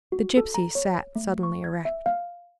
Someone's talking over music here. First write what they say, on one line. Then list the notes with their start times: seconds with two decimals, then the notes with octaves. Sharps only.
The gipsy sat suddenly erect.
0.12 F#4
0.37 A4
0.54 A#5
0.75 C#5
1.16 A3
1.43 C#6
1.64 G#6
1.85 E5
2.06 F5